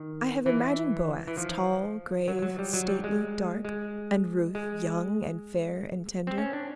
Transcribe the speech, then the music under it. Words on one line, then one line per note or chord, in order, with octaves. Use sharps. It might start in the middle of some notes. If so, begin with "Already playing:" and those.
I have imagined Boaz--tall, grave, stately, dark; and Ruth--young, and fair, and tender.
Already playing: D#3
E3
E3
F3
F#3
F#3
G3
F#3
G3
G#3
G#3
G#3
C4
C#4
D4